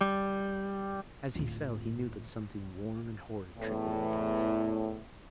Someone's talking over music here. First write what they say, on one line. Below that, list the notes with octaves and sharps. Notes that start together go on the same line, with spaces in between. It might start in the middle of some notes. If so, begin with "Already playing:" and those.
As he fell he knew that something warm and horrid trickled upon his hands.
G3
D1 F4
E2 A2